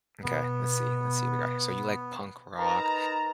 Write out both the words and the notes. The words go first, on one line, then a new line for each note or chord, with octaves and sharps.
Okay. Let's see, let's see what we got here. So you like punk rock,
B2 B3
D#4 A#4 B4 A5 A#5